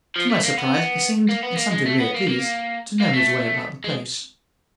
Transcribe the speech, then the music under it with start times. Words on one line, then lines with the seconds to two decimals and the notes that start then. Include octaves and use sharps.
To my surprise, he seemed, in some degree at least, to know his way about the place.
0.16 F3
0.30 A3
0.43 A#3
0.58 B3
1.29 A#3
1.43 B3
1.57 A#3
1.71 G#3
1.86 A3
2.00 B3
2.15 A#3
2.28 A#3
3.00 A#3
3.13 A3
3.84 G#3